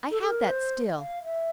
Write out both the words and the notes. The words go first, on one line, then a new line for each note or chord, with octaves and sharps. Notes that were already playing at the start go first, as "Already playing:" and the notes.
'I have that still.
A4
A4
A#4
C5
F5
E5